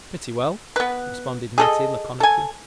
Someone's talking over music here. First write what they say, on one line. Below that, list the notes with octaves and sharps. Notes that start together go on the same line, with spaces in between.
"Pretty well," responded Natty laconically.
B3 B4
G#4 A4 D#5
A4 G#5